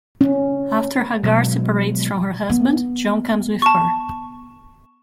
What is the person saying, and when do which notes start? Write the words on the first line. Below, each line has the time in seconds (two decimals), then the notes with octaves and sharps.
After Hagar separates from her husband, John comes with her.
0.21 C#4
1.23 B2 F#3 G#3
2.50 B3
3.62 A5 C#6